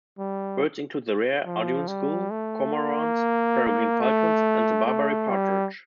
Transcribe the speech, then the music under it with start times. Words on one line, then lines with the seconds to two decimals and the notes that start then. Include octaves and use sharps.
Birds include the rare Audouin's gull, cormorants, peregrine falcons and the Barbary partridge.
0.19 G3
1.46 F3
1.88 G3
2.31 A3
2.73 A#3
4.01 A3
4.86 A3
5.29 G3